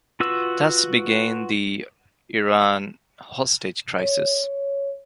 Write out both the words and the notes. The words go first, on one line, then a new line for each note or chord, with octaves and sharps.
Thus began the Iran hostage crisis.
F4 F#4 B4 E6
C#5